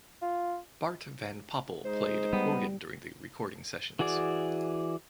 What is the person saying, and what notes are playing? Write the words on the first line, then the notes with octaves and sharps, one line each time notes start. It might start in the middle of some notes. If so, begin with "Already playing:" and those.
Bart Van Poppel played organ during the recording sessions.
F4
G#3 D#4 C5
G3 B3
E3 F#4 G#4 D5